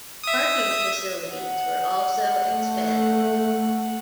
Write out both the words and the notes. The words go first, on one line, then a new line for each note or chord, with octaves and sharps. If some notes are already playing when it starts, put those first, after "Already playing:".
Parking facilities were also expanded.
E5 D#6
F#5
A3